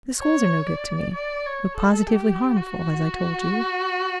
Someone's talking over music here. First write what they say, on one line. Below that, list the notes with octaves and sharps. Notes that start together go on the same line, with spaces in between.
The schools are no good to me, but positively harmful, as I told you.
C#5
D5
D5
C#5
A4
G4
F#4